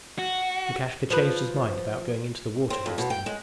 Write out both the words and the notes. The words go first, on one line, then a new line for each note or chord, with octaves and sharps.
Lukashka changed his mind about going into the water just then.
F#4
F3 B4
C4
F2
B2
G5
G#3